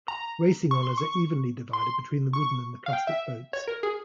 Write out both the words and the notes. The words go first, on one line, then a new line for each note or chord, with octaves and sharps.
Racing honours are evenly divided between the wooden and the plastic boats.
A#5
C#6
C6
C#6
C6
C#6
F5
G5
E5
C#5
A#4
G#4